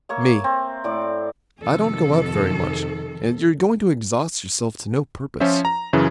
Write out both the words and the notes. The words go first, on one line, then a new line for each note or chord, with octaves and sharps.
ME: I don't go out very much, and you're going to exhaust yourself to no purpose.
A#3 C#5 E5
C4
A2 D5
F2 C3 D#3 A4
F3 C#4 F4 C5 E5
A#5
F#2 C#3 E3